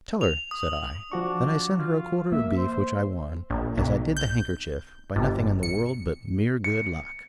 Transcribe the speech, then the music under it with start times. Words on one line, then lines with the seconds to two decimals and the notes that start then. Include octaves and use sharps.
"Tell her," said I, "that I send her a quarter of beef which I won, as I did the handkerchief, by nothing in the world but mere good luck."
0.21 F7
0.51 D#6
1.12 F3 D4 F#4 C#6
1.78 F4
2.32 A#3 E5
2.57 C5
3.50 A#1
3.77 B1
4.17 G6
5.16 G1
5.63 C#7
6.64 C#7